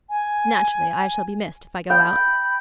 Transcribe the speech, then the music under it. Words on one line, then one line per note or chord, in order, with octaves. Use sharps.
Naturally I shall be missed, if I go out.
G#5
G5 B5